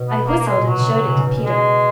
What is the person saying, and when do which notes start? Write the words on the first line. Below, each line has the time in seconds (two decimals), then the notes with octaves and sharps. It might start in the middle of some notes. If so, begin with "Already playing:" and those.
I whistled and showed it to Peter.
Already playing: B2
0.08 B3
0.27 A#3
0.38 A#3
0.47 G#3
0.57 A#2
0.67 B2 F#3
0.80 C#3
1.06 B2
1.15 C#3
1.26 B2
1.36 B2
1.45 G#3